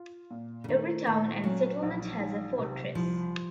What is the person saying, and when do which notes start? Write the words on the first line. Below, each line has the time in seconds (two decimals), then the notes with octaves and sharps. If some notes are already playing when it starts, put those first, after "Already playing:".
Every town and settlement has a fortress...
Already playing: F4
0.31 A#2
0.64 C#3
0.68 D#3 A3
1.06 A#2 D#3
1.44 F#3 C#4
1.83 A#1
2.20 D#3
2.58 C3
2.95 C2 F3